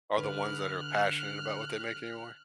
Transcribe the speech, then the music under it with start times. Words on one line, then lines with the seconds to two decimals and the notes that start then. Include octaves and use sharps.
are the ones that are passionate about what they make anymore,
0.17 D3 B4 F6 F#6